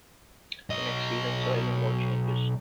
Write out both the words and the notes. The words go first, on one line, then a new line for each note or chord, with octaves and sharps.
The next season saw even more changes.
B1 D#5